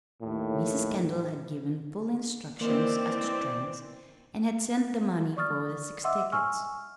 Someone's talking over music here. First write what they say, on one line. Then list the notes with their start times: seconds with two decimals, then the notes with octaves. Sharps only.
Mrs. Kendall had given full instructions as to trains, and had sent the money for the six tickets.
0.22 D#2 A2
2.61 D#3 E3 A#3 C4 C5 D5
5.37 D5 C#6 D#6 F6 A6
6.04 D#5 E5 F#5 C6 D6 E6
6.32 G#5 C#6 E6 F6